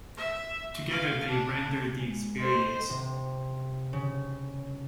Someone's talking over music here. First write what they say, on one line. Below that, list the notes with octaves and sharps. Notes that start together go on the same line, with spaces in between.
Together they render the experience.
E5
F5
D4
G#3
A4 C5 D#5
C3
C#3